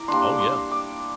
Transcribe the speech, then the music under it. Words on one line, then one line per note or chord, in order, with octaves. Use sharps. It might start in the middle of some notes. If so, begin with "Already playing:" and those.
Oh, yeah.
Already playing: E4 A#5 D6
G3 A#3 D4 C6
D6
C6
D6